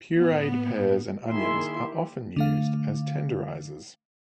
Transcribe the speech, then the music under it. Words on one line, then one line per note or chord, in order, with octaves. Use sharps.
Pureed pears and onions are often used as tenderizers.
A2 B3
D#3 A#3 E4 G#4 E5 C6
G4
D3 A3 F5